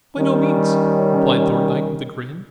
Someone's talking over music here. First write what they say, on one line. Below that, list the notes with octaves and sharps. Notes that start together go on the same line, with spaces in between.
"By no means," replied Thorndyke, with a grin.
D#3 G3 C#4